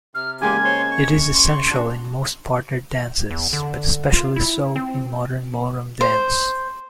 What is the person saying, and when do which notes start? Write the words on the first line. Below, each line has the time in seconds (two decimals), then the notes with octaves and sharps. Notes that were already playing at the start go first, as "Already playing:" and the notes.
It is essential in most partner dances, but especially so in modern ballroom dance.
0.15 C3 F6
0.42 E2 C#3 G#3 A#3 G4 G#5 G#6
0.65 C5 C#5 C6
0.91 C#6
1.34 C6
1.70 D4 F#4
3.31 E2
3.53 D3
4.13 F4
4.36 E4
4.76 C4
6.01 C5